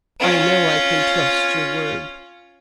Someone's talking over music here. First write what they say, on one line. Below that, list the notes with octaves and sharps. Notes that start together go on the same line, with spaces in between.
"I know I can trust your word."
C#4 F4